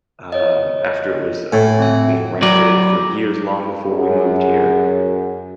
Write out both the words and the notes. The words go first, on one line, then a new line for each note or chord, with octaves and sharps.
uh, after it was, uh, you know, being renovated for years long before we moved here,
C#5 D#5
A2 G#5
C4 E5
F#3 D5
F#2 G#4